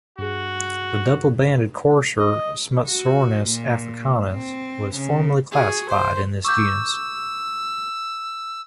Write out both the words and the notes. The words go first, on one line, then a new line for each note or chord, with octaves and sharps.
The Double-banded courser, "Smutsornis africanus", was formerly classified in this genus.
G2 F#4 G#4
D#5
F#4
A#2
C4
C#3
F#4 G#4
C5
C#6 D6 E6 G6